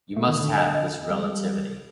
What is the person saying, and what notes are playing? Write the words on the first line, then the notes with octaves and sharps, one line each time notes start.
You must have this relativity.
A3
D#3
D3
D#5
D#5
G3
G#3
G3